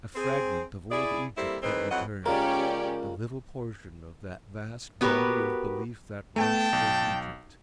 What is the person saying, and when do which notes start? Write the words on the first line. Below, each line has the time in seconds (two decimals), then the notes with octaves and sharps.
A fragment of old Egypt had returned--a little portion of that vast Body of Belief that once was Egypt.
0.15 C4 G#4
0.91 E4 G#4 D5
1.37 G3 A#3 C4 E4 G4 A4
1.63 D#3 E3 G#3 C4 B4
1.90 F2 E3 F#3 D#5 F#5
2.26 C#2 A#3 C#4 G4 A#4 D5
5.01 B3 F#4 G4 A#4 B4
6.36 A3 B3 G5 A5
6.73 B1